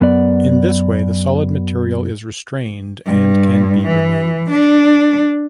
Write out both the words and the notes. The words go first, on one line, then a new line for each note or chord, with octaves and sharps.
In this way the solid material is restrained and can be removed.
F#2 B3 D5
G2
E3
D4